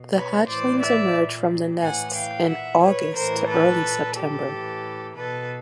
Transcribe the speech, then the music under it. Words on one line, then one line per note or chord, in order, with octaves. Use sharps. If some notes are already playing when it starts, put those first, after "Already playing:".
The hatchlings emerge from the nests in August to early September.
Already playing: B2
B4 C#5
A2 E3 C5 D5
D5 E5
A#2
A2 E3 F#5 G#5
F5 G5
A#2 E5 F#5
B4 C#5
A2 E3 A#4 C5
A4 B4
A#2
G4 A4
A2 E3
B2 A4 B4